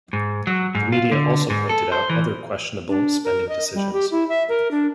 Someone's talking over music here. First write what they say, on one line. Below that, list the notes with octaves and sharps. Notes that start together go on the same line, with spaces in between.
The media also pointed out other questionable spending decisions.
G#2
F#3
G#2
F4
D3
G#2
A4
C5
E3
D4
A#4
D#5
G3
G4
E4
E5
A#4
D4